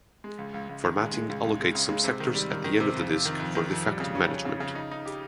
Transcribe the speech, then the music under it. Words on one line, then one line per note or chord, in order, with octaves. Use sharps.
Formatting allocates some sectors at the end of the disk for defect management.
G#3
C#2
C#2
C#2
D#3
G#3
G#3
C#2
C#2
G#3
C#3
G#3
C3
D#3
G3
D#3
D#3
C3
F2
F2
D#3
F2
D#3
F2
G3
C#3
C#4
C#4
C#3
C#3
D#4
D#4
G4